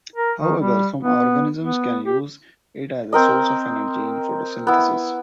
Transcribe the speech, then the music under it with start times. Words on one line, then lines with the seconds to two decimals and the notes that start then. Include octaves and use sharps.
However, some organisms can use it as a source of energy in photosynthesis.
0.15 A#4
0.40 D#3
0.60 G3
1.02 B3
1.59 B3
2.04 G4
3.13 C4 A#4 D#5
4.67 B3 E4